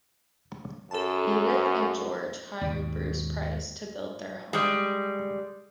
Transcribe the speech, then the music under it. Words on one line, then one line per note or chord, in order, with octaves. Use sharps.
Edith and George hired Bruce Price, to build their home.
F#2 A4 A5
D#2 G#2 B2
G3 G#3